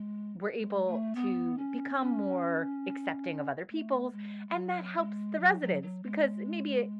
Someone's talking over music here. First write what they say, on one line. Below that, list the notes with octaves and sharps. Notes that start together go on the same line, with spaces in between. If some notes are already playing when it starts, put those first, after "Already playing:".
were able to become more accepting of other peoples, and that helps the residents because maybe
Already playing: G#3
G#3
A3
B3
C#4
C#4
A3
G#3
G#3
F#3
G#3
F#3
F#3
F#3
G#3